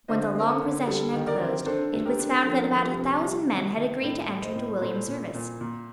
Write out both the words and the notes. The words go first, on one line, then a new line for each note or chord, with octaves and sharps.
When the long procession had closed, it was found that about a thousand men had agreed to enter into William's service.
D3 C5 D#5
C4 A#4
A4
D3
G3 A4
D#3
A#4 D5
C4
D4 A4 C5
A3
G4 A#4
D4
F3 A4
A#4
F3 A4
G4
C3
G3
D#3
D#3
A2 A4
A2
C5 D#5
A2
A#2 A4 C5
A#2
A#2
A#2